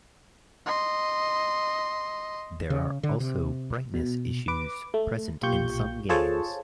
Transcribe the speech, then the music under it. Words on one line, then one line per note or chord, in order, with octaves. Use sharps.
There are also brightness issues present in some games.
D#5 C6
C#3
D3
C3
B2
B4 D6
A3
B1 A#2 F4 G4 C#6 G6
F4 G#4 A4 C5 C#5 A5